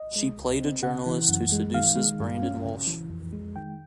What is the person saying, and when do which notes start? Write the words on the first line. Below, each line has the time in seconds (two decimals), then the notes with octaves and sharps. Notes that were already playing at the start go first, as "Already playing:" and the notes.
She played a journalist who seduces Brandon Walsh.
Already playing: D#5
0.16 G#3
0.38 C#2
0.60 C4
0.83 C#3 F#5
1.06 E3
1.29 F#2
1.52 G#3
1.74 D#3 F5
1.97 G#3
2.20 G2
2.42 C#4
2.65 C#3
2.87 E3
3.10 F2
3.33 G#3
3.56 D#3 G5